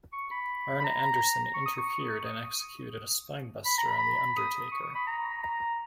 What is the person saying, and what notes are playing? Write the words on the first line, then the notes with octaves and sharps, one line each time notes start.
Arn Anderson interfered and executed a spinebuster on The Undertaker.
C#6
B5
B5
A#5
C#6
D#6
C#6
C#6
D#6
B5
A#5
B5
D#6
C#6
C#6
B5
A#5
A#5